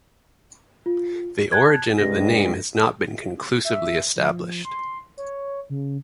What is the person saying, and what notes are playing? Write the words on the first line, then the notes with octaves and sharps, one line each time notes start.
The origin of the name has not been conclusively established.
F4
A5 F#6 G#6
C2 G2 G#3 A#6
E5
F3
C6
C#5
C#3